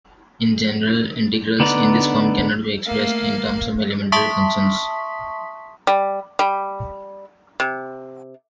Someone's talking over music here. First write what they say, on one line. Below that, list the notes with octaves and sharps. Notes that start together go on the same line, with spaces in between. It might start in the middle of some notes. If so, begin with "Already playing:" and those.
In general, integrals in this form cannot be expressed in terms of elementary functions.
D3 B3 D4 D#4 D5
A3 A#3 F5
E5 A5 C6 C#6 D#6 B6
G3
G3
C3